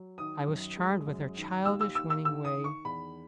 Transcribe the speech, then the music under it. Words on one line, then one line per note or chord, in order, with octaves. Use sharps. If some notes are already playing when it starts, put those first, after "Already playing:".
I was charmed with her childish, winning way.
Already playing: F#3
D#3 D#6
F#2
G#3
F#2
D#3
D#2 E6
E6
D#3 E6
E6
D#3 E6
D#6
D#3
C#6
E2 B5